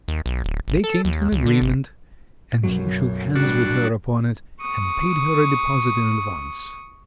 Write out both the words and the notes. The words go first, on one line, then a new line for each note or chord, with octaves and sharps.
They came to an agreement, and he shook hands with her upon it, and paid her a deposit in advance.
D#2
B1
D1
G#1
A4
D#2
C#2
D3
G1
B1 F#2 F#3
A1 G3 D4 F#4
C#6 D#6